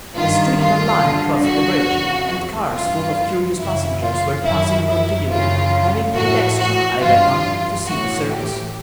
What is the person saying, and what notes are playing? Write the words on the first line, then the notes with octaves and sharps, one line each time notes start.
A street-car line crossed the bridge, and cars full of curious passengers were passing continually, having paid extra, I reckoned, to see the circus.
G2 D#3 F4
F4
G2 D3
F#4
F2 C#3 E3
G2 E3 F4
F#2 C#3 E3 E4
F4
F#2 D#3 E4
E4
F#2 C#3 E3 F4
A2 E3 F#4
F#4
G2 E3 F4
A2 E3 F#4
G4